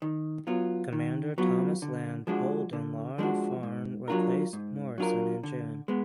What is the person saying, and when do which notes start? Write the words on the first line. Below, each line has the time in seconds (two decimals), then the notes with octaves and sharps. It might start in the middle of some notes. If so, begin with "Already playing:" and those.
Commander Thomas Lamb Polden Laugharne replaced Morrison in June.
0.02 D#3
0.47 F#3 B3 F4
0.93 D#3
1.38 F#3 B3 F4
1.82 D3
2.27 F3 G#3 D4 F#4
2.73 D3
3.18 F3 G#3 D4 F#4
3.63 G#2
4.08 F#3 D4 F4 A#4
4.53 G#2
4.98 F#3 D4 F4 A#4
5.43 D3
5.88 G#3 B3